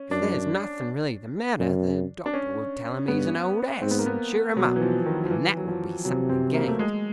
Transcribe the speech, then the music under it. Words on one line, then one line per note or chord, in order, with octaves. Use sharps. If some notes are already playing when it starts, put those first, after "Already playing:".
If there's nothing really the matter, the doctor will tell him he's an old ass, and cheer him up; and that will be something gained.
Already playing: C#4
F#2 D4
F#2
D4
C#4
G2 B3
G#2 C4
B3
A#3
B3
B2 F#3
E3
F3
D#3
F3
E3
F#3
F3
C3 F#3
C4
A#3
A3
G#3